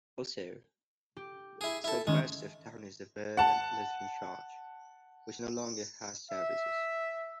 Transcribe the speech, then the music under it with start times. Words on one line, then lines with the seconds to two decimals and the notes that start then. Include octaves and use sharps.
Also, southwest of town is the Vernon Lutheran Church, which no longer has services.
1.17 G4
1.61 E4 G#4
1.84 E4 A4
2.07 D#3 G#3 C#4
3.37 F#5 A5
6.31 E5